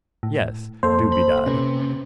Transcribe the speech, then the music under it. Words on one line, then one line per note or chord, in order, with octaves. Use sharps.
Yes, do bedad.
A2
F2 A#3 A4 C5
B5
C3 C#4 B4